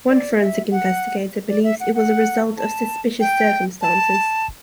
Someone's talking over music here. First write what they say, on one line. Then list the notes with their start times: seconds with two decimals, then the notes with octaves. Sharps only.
One Forensic Investigator believes it was a result of suspicious circumstances.
0.09 D5
0.40 E5
0.72 F#5
1.48 D5
1.64 E5
1.80 F#5
1.95 F#5
2.58 A5
3.20 G5
3.82 A5